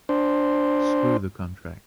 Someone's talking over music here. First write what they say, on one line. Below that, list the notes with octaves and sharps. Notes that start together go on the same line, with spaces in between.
Screw the contract!
D4 C5